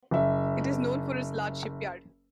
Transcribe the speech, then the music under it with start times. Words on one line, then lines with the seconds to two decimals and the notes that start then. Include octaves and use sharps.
It is known for its large shipyard.
0.11 F#1 E5